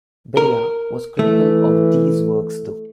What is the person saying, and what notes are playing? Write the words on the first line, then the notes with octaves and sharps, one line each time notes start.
Beria was critical of these works, though.
A#4
E3 A3